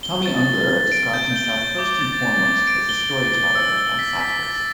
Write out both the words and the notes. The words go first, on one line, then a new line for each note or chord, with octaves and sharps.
Tomi Ungerer describes himself first and foremost as a story teller and satirist.
G7
A6
A6
A6
D7
G6
G7
G6
D6
A6
A6
A6
D7
G7
A6
A6
E6
G7
B6
B6
A6